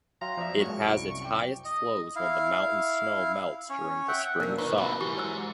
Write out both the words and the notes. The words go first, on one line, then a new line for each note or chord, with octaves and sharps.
It has its highest flows when the mountain snow melts during the spring thaw.
F#3 F5 G5 A#5 C6
F2 F3 C5 D5 E5
F#3 G#3 A#3 C#6
C2 F#2 E4 D7
G5 D6
D#5
E4 F5
C#4 C#5
E5 F#5 G5
C3 F3 A#3 D4 A#4 C5
D#2 D#4 B4
A2 C3 E3 F#3 A#3
G#2 E3 G4
C5 E6